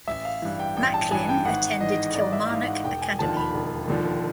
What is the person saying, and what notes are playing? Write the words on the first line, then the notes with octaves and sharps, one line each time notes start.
Macklin attended Kilmarnock Academy.
A1 E5
F5
G2 E3
G5
A1 G5
A5
G2 E3 G#5
G5
G#1 F#5
G#2 E3 D#5
G#1 D5
E5
G#2 E3 F5
F#5
E1 G5
G#5
D#2 D3 F3 A5
B5
E1
D#2 D3 F3